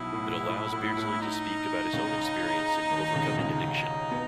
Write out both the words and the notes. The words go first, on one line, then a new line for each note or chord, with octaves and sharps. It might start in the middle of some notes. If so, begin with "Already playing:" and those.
It allows Beardsley to speak about his own experience in overcoming addiction.
Already playing: B1 B2 E4
A2
A2
A2
A2
D#4
C#2 C#3
D#2 D#3
C#2 C#3
B2
C#2 C#3 D#4
B2 B3